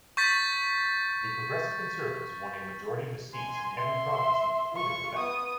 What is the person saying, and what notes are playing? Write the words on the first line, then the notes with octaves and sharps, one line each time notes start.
The Progressive Conservatives won a majority of the seats in every province, including Quebec.
C#6 G6 A6 B6
G#5 C6
E5 C6
F4 C#6
B3 D#6